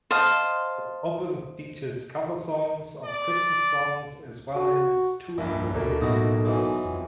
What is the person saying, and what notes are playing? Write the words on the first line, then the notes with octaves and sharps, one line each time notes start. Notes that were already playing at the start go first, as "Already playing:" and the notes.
The album features cover songs of Christmas songs as well as two originals.
C5 D#5 F5 A5
D5
F#4
F1 C2 G2 A#2 E4
D2 B2 A3 A#3
B1 A2 D#4 E4 F#4
E3 F#3 G#3
F2